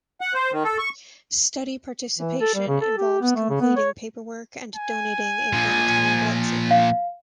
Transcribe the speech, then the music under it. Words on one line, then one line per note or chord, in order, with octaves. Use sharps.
Study participation involves completing paperwork and donating a one-time blood sample.
F#5
C5
D#3
A4
C#6
E3
A4
G3
C#3
A4
G4
B3
A3
C#3
B3
C#5
G#5
A#2 F3
F5